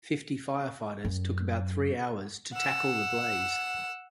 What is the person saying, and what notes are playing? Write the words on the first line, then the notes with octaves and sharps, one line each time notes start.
Fifty firefighters took about three hours to tackle the blaze.
F#2
F#5 E6